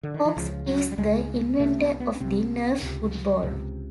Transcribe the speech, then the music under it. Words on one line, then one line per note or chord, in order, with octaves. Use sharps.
Cox is the inventor of the Nerf football.
D3
D#3
E3
C#2 C#3 F3
F#3
G3
C#2 C#3 G#3
C2 C3 A3
B3
B3
C#4
C2 C3 C4
C#2 C3
C#2 C3